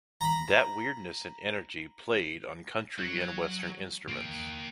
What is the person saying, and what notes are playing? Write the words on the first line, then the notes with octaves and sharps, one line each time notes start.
That weirdness and energy played on country and western instruments.
A#5 B5
F#3
A#3 G5